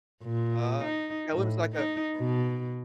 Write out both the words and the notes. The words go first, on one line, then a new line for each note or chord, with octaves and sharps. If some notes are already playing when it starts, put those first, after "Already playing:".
Uh, Katt Williams like a
A#2
D#4
A2
D#4
B2